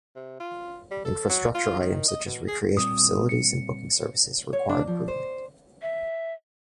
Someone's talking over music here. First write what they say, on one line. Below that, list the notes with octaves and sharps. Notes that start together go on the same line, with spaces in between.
Infrastructure items such as recreation facilities and booking services require improvement.
C3
F4
G3
A4
F#3
F4
D#3
D#5
B2
G#4
A#2 G3 C4 D#6
C#7
C#5
D4
F3
C5
E5